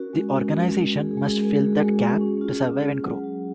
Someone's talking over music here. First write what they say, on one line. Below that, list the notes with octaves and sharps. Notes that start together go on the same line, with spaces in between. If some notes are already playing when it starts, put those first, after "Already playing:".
The organization must fill that gap to survive and grow.
Already playing: C#4 F#4 A#4
G#3
C#4
G#3
C#4
G#3 G#4
G#4
G#3
G#4
G#3 A#4
G#3 G#4
F#4
G#4
G#3
C#4
C#4
F4
C#4
C#4
F#3
F4